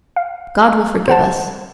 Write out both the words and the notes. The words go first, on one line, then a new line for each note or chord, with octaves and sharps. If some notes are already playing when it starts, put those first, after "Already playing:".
God will forgive us.
F5
C5 F#5 A5